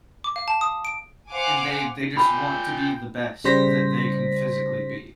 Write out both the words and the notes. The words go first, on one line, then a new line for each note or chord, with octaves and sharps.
And they they just want to be the best that they can physically be.
D6
F5
A5
D#6
D7
C5 F5 F#5 G#5 D6
F4 G5 G#5 B5
C#3 G3 C5 A#6 B6